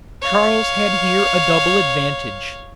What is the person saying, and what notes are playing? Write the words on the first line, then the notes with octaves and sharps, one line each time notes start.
Charles had here a double advantage.
C#5 F5